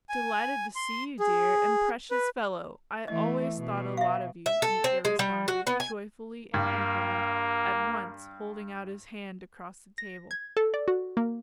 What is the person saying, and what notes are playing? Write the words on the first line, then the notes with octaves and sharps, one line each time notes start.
"Delighted to see you, dear ... and precious fellow, I always thought a lot of you." Mitya responded, joyfully and eagerly, at once holding out his hand across the table.
G#5
C6
G#4
B4
E3 A3 D#5
B2
E5 F5
E5
A4
C4
G#3
G3
F#4
B3
G#5
G2 A#3
A#6
G#6
A4
D5
F#4
A#3